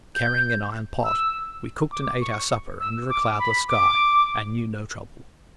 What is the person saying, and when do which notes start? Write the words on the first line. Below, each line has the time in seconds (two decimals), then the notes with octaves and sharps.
Carrying an iron pot, we cooked and ate our supper under a cloudless sky, and knew no trouble.
0.15 G6
1.04 E6
1.92 D6
2.21 C#6
2.80 E6
3.09 D6
3.39 B5
3.69 D6